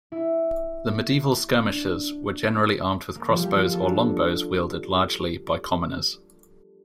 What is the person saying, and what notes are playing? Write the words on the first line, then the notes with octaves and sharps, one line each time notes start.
The medieval skirmishers were generally armed with crossbows or longbows wielded largely by commoners.
E4
D4
A#3
F3 G3
G4
F4
A4
D4